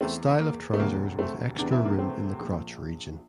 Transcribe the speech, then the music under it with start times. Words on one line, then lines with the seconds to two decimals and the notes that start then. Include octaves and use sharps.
A style of trousers with extra room in the crotch region.
0.01 E2 E3 A3 C4
0.40 A#3
0.74 A3
0.79 E1 D2 C3 A#3
1.19 A3 C4
1.58 E1 E2 C3 E3 D4
1.72 E4
1.85 A#3 D4
1.98 A3 C4
2.39 A#1 A#2 F3